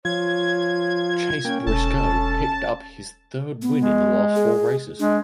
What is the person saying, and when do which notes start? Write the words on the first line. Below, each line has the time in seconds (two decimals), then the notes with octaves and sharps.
Chase Briscoe picked up his third win in the last four races.
0.05 F3 F4 C#5 G#6
1.45 A#3 C#4 G5
1.67 E1 A4 A5
3.62 B3
3.78 G#3
4.36 G#4
4.99 G#3 D4